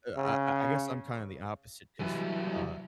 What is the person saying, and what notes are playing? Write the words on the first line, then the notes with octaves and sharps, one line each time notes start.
uh, I I guess I'm kinda the opposite, 'cause, uh,
C#3
C2 E3 F#3